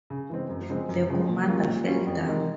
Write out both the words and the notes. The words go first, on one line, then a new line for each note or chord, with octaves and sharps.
The commander fell down.
C#3
E3 G#3 C4
F#2
C#3 F3 G#3 C4
F#2
C#3 F3 G#3 C4
A#2
G3 A#3 C#4 F4
A#2
G3 A#3 C#4 F4
F2
C3 D#3 G#3